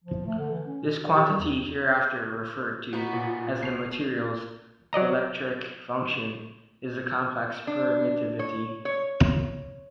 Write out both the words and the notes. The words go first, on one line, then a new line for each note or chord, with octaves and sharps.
This quantity, hereafter referred to as the materials' "dielectric function," is the complex permittivity.
F3
A3
D3
E3
C#4
B2
B2
G4
G3
E2
B3 D#4 F#4
A#2
B2 C7 F7
F#3 D5 D#5 A#5
D4
C#5
C#5